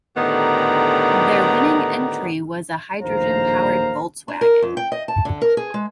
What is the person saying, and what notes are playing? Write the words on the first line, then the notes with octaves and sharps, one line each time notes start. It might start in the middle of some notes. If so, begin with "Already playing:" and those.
Their winning entry was a hydrogen powered Volkswagen.
A2 D3 D#3 B3 G4 A#5
A#1 D#2 A2 C5 F5 A#5
D4
A#4
F2
G5
D#5
A5
D3
A#4
G#4
G#3